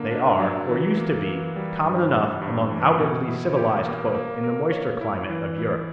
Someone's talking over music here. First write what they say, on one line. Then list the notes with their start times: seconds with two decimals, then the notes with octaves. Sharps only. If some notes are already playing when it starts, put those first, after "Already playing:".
They are, or used to be, common enough among outwardly civilised folk in the moister climate of Europe.
Already playing: D3 A#3
0.11 D4
0.40 F#3
0.69 E3
0.97 A#3
1.27 E3
1.56 G3
1.84 G2
2.13 G3
2.42 G2
2.71 E3
2.99 B2
3.28 E4
3.57 G4
3.85 A#3
4.14 A#3
4.44 A#4
4.71 C#5
5.01 E4
5.30 E3
5.58 E4